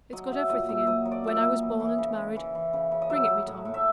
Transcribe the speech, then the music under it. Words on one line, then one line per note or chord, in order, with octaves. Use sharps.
"It's got everything in,--when I was born and married; bring it me, Tom."
F#3 D#5
F#3 E5
A#2 D#5
A#2 E5
F#3 D#5
F#3
D5
A#2 E5
D#5
A#2
E3
E3
C#3
C#3
E3
E3
C#3
C#3
D#5
F#3 E5
F#3
A2
A2
E5